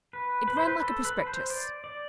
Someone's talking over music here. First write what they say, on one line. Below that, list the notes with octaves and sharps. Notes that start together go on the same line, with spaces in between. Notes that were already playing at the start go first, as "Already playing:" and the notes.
It ran like a prospectus.
B4
B4
C5
B4
A4
B4
B4
C5
D5
D5